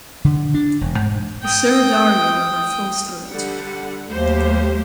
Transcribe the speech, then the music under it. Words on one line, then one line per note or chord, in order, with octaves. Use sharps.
The Syr Darya river flows through it.
D3
D4
E1
G#2
G5 D#6
D3 G3 F#5
D#2 F#3 A3 G4 C5